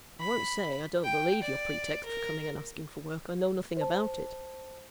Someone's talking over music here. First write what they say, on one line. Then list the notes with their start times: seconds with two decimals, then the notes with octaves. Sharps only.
I won't say, I don't believe your pretext for coming and asking for work; I know nothing about it.
0.20 B5
1.04 G5
1.43 D5
2.05 A#4
3.77 C5 A5